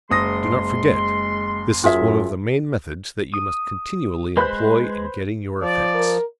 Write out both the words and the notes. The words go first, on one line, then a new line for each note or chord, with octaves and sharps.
Do not forget: this is one of the main methods that you must continually employ in getting your effects.
F#1 G#3 C6 D#6 A#6
F#2 F4 G#4 E5
D#6
G#3 B4 C5 B5 F#6
F3 D5
A#4